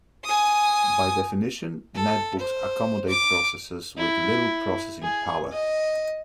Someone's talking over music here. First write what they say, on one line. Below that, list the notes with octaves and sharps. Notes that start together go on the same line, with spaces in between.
By definition netbooks accommodate processors with little processing power.
G#5 D#6
A4
C5
D6
E4
G#4
D#5